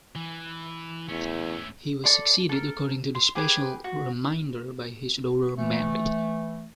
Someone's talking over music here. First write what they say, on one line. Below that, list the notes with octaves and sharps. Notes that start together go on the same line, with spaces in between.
He was succeeded according to the special remainder by his daughter Mary.
E3
E2 A3 C#4
A4 D5 C6
A4 A#4
C6
G4 G#4 B4 G#5
F#4
E3 A3